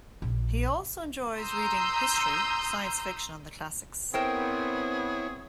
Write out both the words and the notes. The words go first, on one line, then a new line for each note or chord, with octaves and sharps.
He also enjoys reading history, science fiction and the classics.
A#1
A#5 C6 D#6 E6 G6
B3 C4 E4 G#4 A#4 C5 C#5 G5